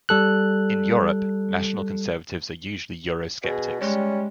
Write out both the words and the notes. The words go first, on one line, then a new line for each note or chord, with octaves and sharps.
In Europe, national conservatives are usually eurosceptics.
G3 A4 F#6
B2 G#4
G3 G#3 C#4